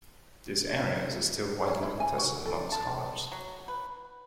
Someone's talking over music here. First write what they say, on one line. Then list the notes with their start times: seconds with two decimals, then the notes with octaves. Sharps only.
This area is still widely contested among scholars.
1.68 C#4
1.83 E4
2.00 G#5
2.18 F#4
2.46 A4
2.72 A5
3.32 F#3
3.68 B4